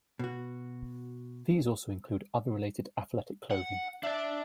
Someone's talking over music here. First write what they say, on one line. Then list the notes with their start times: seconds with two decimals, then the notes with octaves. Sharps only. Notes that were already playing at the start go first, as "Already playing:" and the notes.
These also include other related athletic clothing.
0.19 B2 F#4
3.51 F#5
4.03 D4 D5 E5